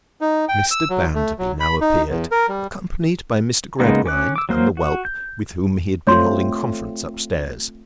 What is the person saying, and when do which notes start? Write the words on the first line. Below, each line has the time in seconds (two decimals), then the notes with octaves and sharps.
Mr. Bounderby now appeared, accompanied by Mr. Gradgrind and the whelp, with whom he had been holding conference up-stairs.
0.21 D#4
0.48 G5
0.71 E6
0.90 F#3
1.15 A3
1.38 F#3
1.60 B5
1.81 D#4
2.10 E2
2.31 A#4
2.48 G3
3.80 C#3 G#3 A#3 B3 D#4
4.06 C#4 D6 F#6
4.36 D6 E6
4.49 F#3 A#3 C5 F6
4.77 F#4
5.05 G6
6.07 A3 C4 F4 C#5 C6